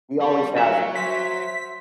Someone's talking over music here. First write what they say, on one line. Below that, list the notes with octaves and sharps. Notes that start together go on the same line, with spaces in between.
He always has been.
G3 C#5
F#3 E5 F5
C5 B6